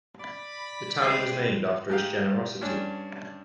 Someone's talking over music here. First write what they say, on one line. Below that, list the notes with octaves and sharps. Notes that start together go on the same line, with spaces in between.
The town was named after its generosity.
D5 B5
G#3 C4
G#2 G4 F5
G2 C#4 D4